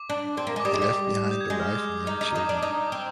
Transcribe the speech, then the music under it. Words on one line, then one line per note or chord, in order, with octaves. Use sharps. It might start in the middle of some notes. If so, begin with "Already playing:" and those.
He left behind a wife and young children.
Already playing: D6
D4
C4
A#3
G#3
D6
G3 D#6
G#3
G3
G6
G#6
G#3 G6
F6
D#6
D#4
D#4
D#4 D6
D#6
D4
D#4 D#6
C4